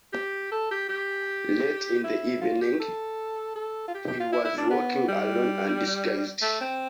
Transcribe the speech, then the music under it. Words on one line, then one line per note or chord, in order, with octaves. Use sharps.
Late in the evening, he was walking alone and disguised.
G4
A4
G4
G4
E4
F4
G4
A4
A4
F4
G4
G4
F4
E4
E4
D4
B3
G3
A3
C4